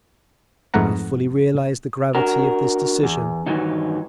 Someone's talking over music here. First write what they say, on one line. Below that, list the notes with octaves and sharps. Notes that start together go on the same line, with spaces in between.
I fully realise the gravity of this decision.
F2 G#2 A3 B4 F#5 A#5
D4 F#4 A#4
E2
G2 D#3 E3 F#3 D#4